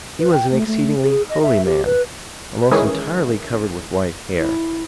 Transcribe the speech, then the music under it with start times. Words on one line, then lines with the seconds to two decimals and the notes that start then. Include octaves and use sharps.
He was an exceedingly holy man, almost entirely covered with white hair.
0.19 B4
0.32 G5
0.51 A3
0.67 A3
1.03 G#4
1.29 D#5
1.42 E5
1.65 G4
1.85 B4
2.71 C#2 D#3 E3 C#4 E4 G#4
4.39 E4